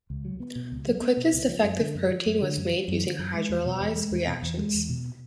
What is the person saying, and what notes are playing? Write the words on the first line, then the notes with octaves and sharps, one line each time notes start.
The quickest effective protein was made using hydrolyzed reactions.
C#2
F#3
B3
B2
C#2
F#3
B3
B2
C#2
F3
F#2
D3
F#2
F3
F#2
D3
F#2
F3
F#2
D3
F#2
G#3
E2
B2
E2
G#3
E2
B2
E2
G#3
E2
B2